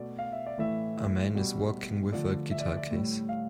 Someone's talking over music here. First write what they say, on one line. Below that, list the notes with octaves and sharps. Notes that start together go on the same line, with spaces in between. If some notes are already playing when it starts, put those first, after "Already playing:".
A man is walking with a guitar case.
Already playing: B2 A3 D5
F5
E5
D5
A2 E3 A3 E5
B2 G3
D3 F3 A3 D5
E5
D5
D5
A2 G3
F5